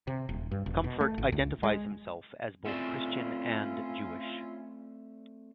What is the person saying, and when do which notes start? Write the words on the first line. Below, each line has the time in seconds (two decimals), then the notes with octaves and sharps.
Comfort identifies himself as both Christian and Jewish.
0.07 C3
0.29 D#1
0.51 G2
0.66 E1
0.84 B2
1.01 A3
1.18 G#1
1.32 C#2
1.63 G#3
2.66 A3 C4 C#4 E4 F4 D5